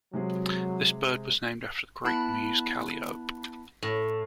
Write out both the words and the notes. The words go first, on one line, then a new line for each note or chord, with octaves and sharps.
This bird was named after the Greek muse Calliope.
C3 F#3 G#3 G#4
B3 E4 A5 B5 F#6
A2